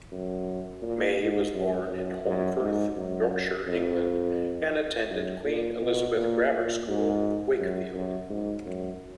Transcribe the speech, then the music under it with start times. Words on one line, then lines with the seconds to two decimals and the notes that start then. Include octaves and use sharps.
May was born in Holmfirth, Yorkshire, England and attended Queen Elizabeth Grammar School, Wakefield.
0.11 F#2
0.82 A#2
1.18 G#2
1.54 F#2
1.90 F#2
2.25 F#2
2.60 G#2
2.96 F#2
3.67 F2
5.10 F#2
5.45 A#2
5.81 B2
6.16 A#2
6.52 A#2
6.88 G#2
7.59 F#2
7.94 F#2
8.30 G#2
8.65 F#2